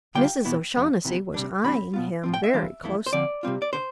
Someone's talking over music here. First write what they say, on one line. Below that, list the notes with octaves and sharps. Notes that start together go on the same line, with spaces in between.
Mrs. O'Shaughnessy was eyeing him very closely.
D3 G3 D4 F4 G5
E2 B2 B3 E4
F2 C3
C3 E3 B3
C3 G3 D4
C3 E3 G3 C4 B5
B2 B3 F4
A2 F3 C4
G5
E5
E3 G3 D4 F4
F2 E3 A3 E4
C5
D3 F3 C4 D5
C3 G3 C4 F4
D5
D3 C5